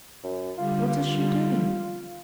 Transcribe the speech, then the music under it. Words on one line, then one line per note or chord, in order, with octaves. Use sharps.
"What is she doing?"
F#2
D3 G3 F4
F4